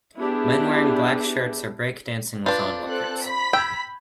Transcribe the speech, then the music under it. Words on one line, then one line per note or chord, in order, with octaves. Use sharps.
Men wearing black shirts are breakdancing with onlookers.
B3 D4 E4 G4 G#4
D4 F4 B4 G6 A6
C4 A4 F#6
B5 B6
G5 E6 G6 G#6